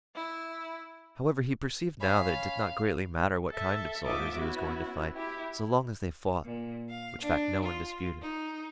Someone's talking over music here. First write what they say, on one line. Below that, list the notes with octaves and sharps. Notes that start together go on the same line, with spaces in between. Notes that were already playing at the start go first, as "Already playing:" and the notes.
However, he perceived now that it did not greatly matter what kind of soldiers he was going to fight, so long as they fought, which fact no one disputed.
E4
C#4 F5 B5
A4 E5
G#2 F4 A4 D#5 E5 D6
B3 C#4 E4 F#4
E4 G4
A#2
F5
D4
F4
D#4